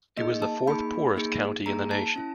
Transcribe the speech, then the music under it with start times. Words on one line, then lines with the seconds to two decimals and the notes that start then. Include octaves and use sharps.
It was the fourth-poorest county in the nation.
0.17 A#3 D#4 G#4 D#5
0.42 A5
0.67 A#3 D#4 G#4 B5
1.16 A#3 D#4 G#4
1.66 A#3 D#4 G#4 A#5
1.91 A5
2.16 C#4 E4